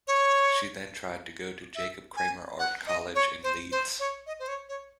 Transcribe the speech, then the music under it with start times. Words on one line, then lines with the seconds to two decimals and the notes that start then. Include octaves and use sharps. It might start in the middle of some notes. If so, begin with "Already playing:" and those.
She then tried to go to Jacob Kramer Art College in Leeds.
0.07 C#5
1.75 E5
2.17 G#5
2.59 F#5
2.87 D#5
3.15 C#5
3.43 C5
3.72 C5
3.99 C#5
4.27 D#5
4.40 C5
4.48 C#5
4.69 C#5